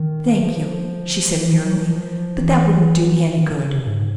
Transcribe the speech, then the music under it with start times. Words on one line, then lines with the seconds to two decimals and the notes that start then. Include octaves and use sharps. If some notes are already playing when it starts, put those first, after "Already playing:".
"Thank you," she said, wearily, "but that wouldn't do me any good."
Already playing: D#3
0.41 F3
1.40 E3
1.53 F3
1.65 F#3
1.77 F3
1.89 F3
2.38 E3
3.38 D#3
3.51 D3
3.62 C#3
3.75 C3
3.87 G#2